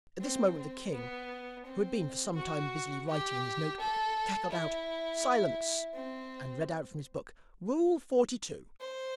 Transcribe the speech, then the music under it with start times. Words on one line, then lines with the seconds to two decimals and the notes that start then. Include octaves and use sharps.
At this moment the King, who had been for some time busily writing in his note-book, cackled out 'Silence!' and read out from his book, 'Rule Forty-two.
0.21 C4
0.58 C4
0.93 B3
1.66 C4
2.36 F#4
3.08 G4
3.80 A4
4.51 E4
5.94 C4
8.81 C5